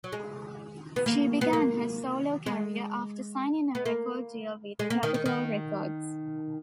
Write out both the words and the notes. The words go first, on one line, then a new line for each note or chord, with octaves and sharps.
She began her solo career after signing a record deal with Capitol Records.
F#3
G#3
B3
A#3
B3
A#3
G#3
B3
A#3
G#3
A#3
D#3
D#3
D#3